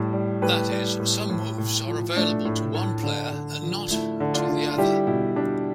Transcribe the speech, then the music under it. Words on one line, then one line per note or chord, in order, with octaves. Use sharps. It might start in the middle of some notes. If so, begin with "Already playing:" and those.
That is, some moves are available to one player and not to the other.
Already playing: A2 G3
G3
A2 G4 B4
G3
A2
A2
A2
F3
A3 D4
A2
A2
D3
D3
F3
A3 E4
D3
D4 F4
D3
F4
G3 E4 G4
B2 E4
G3 D4